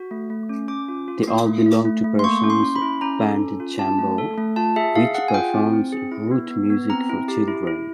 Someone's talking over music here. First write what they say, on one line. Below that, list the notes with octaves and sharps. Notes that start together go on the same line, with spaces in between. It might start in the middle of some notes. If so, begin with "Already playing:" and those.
They all belong to Pierson's band Jambo, which performs roots music for children.
Already playing: F#4
A3
A3
C#4
C#4 D6
F4
F4
A#3
A3
A3
A3
A3
C6
A#3 C#6
C#4
C6
C#4
B5
E4
C#4 A#5
A4
C#4
F4
C#4 A5
A3
A4
A3
F4 A5
G#4 E5
G#4 F5
G#4 F#5
G#5
F4 G5
C4
C4
G#4
E4
B3
B3
B3
C4 A#5
E4
G4
E4
E4